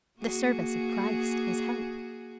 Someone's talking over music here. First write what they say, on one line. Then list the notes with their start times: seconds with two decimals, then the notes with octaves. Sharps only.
The service of Christ is help.
0.19 A#3 F#4 G#4